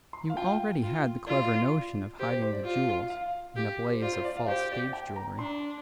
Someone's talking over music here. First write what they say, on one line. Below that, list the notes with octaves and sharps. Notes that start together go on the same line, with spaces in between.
You already had the clever notion of hiding the jewels in a blaze of false stage jewellery.
C6
F5
F4 G5
F4
F4 D5
G4 C5
C5
C5
D5
F4
F5
G4
C5
F4 D5
C5
D5
F5
G4 C5
D5
G5
A#5
D4 C6